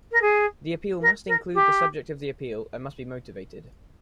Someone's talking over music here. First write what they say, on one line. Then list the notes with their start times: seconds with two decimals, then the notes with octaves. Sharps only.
The appeal must include the subject of the appeal and must be motivated.
0.11 A#4
0.21 G#4
1.01 A#4
1.27 A#4
1.54 G4